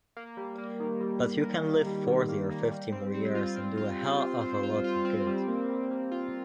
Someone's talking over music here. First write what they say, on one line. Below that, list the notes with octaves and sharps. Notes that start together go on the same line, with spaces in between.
But you can live forty or fifty more years and do a hell of a lot of good.
A#3
G3
A#3
D#3
G3
G3
A#3
G3
G3
D#3
A#3
A#3
G3
C4
C4
F4
C4
F4
C4
C5
C5
F4
F4
C4
G3
A#3
G3
A#3
F4